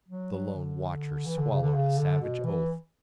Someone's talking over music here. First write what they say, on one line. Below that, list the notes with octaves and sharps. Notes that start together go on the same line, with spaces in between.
The lone watcher swallowed a savage oath.
F#3
F#3
D3
E3
D3
C#3
D3
C#3
D3
B2
E3